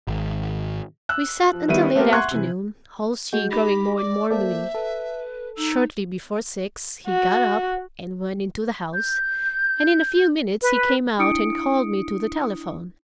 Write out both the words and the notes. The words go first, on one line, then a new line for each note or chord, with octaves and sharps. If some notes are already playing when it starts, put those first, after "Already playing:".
We sat until late afternoon, Halsey growing more and more moody. Shortly before six, he got up and went into the house, and in a few minutes he came out and called me to the telephone.
G#1
E6 F#6
F3
D#3 G3 B3 E4 E5 D#7
A3 B3 C4 G4 A#4
E5 F#5 C6 C#6 F#6 G#6
C3 E3
G#3 F#4 G6
D#4 G4 B5 A#6
D5 D6
A#3 A4 C5 D5 E5
A4 B4
D#4 E6
F#4
G6
B4
D4 E4 D#6 C#7 D7